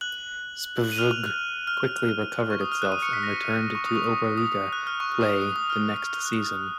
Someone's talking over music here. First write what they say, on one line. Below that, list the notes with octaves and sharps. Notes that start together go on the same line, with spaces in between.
"SpVgg" quickly recovered itself and returned to Oberliga play the next season.
F#6 F#7
F#6 F#7
D#7
F6 F7
F#6
F6
F6
C#6
D#6
F6
F#6
D#6 D#7
C#6 C#7
B6
A#6
C#6
D#6
C#6
D#6
D#6
F#6
F6
C#6
D#6
D#6
D#6
F6
F#6